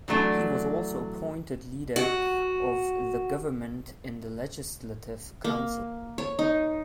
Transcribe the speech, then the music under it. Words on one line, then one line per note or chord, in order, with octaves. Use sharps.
He was also appointed Leader of the Government in the Legislative Council.
E3 F#3 A3 D4
F#4
A#3
C#5
D#4